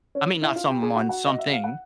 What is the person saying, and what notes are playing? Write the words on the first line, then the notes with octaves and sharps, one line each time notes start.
I mean not someone, something,
C#4 C#5
E4 E5
F4 F5
G4 G5
G#4 G#5
F#4 F#5
F#4 F#5
D#5
E5
F5
F#5